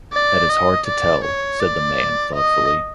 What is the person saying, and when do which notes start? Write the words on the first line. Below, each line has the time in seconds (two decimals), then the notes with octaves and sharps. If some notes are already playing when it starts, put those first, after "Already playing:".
"That is hard to tell," said the man, thoughtfully.
0.13 D5
0.49 D#5
0.86 D5
1.24 C#5
1.60 D5
2.35 D#5